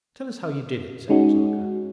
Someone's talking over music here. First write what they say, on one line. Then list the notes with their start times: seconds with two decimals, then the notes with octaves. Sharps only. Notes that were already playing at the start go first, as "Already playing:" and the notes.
Tell us how you did it!' said Nazarka.
1.09 G#3 C#4 D#4 F#4